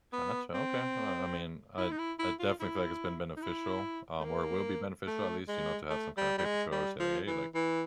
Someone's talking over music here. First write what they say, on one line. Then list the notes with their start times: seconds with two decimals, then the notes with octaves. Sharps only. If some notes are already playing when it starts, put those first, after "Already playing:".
Gotcha. Okay, well, I mean, I I definitely feel like it's been beneficial, um, or it will be beneficial at least, you know, to have some kinda paper trail or say, like, "Hey, like,
0.13 B3
0.54 C4
1.78 E4
1.91 D#4
1.98 E4
2.19 E4
2.39 F4
2.60 E4
3.37 D#4
3.42 E4
4.20 A3
4.25 A#3
5.07 A3
5.48 G#3
5.90 A3
6.17 G3
6.38 G3
6.44 G#3
6.72 G3
6.99 F3
7.27 E3
7.54 E3